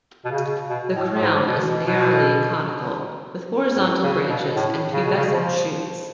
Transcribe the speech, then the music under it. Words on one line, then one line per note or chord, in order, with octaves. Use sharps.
The crown is narrowly conical with horizontal branches and pubescent shoots.
B2
C#3
B2
A2
A2
G#2
B2
B2
A2
C#3
B2
A2
C#3
B2
C#3
F3